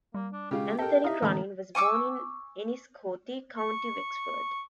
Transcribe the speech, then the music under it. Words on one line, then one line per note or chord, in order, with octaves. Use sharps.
Anthony Cronin was born in Enniscorthy, County Wexford.
G3 A#3
D4
C#3 G#3 F4 G4
G4 A4 A#4 D#5 G5
D#4 E4 G4 E5 F5
F2 A2 D3 E3 G#3 A#5
G#5 C#6 D6 E6
C#6